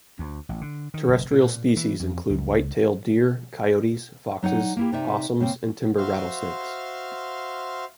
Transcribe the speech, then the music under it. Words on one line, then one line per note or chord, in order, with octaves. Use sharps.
Terrestrial species include white-tailed deer, coyotes, foxes, opossums, and timber rattlesnakes.
D2
A1
D3
D#3
F#1
A#2
E3
F2
C#2
F#3 D#4 D5 F#5
A#3 E4 G4
C3 D#4 D5 E5
C#3 A#3 C4
F#4 C5 E5 F5 C6 F6